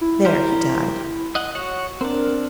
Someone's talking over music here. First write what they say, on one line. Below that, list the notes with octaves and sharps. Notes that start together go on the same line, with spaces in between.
There, he died.
E4
G4 A#4 C5
D#5 F#5
F#4 C#5 F#5
C4 D4 A#4